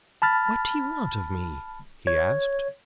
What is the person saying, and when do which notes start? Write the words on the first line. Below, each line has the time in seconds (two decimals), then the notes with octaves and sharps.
"What do you want of me?" he asked.
0.22 A5 B5 F6 A6
2.07 C#5 G#6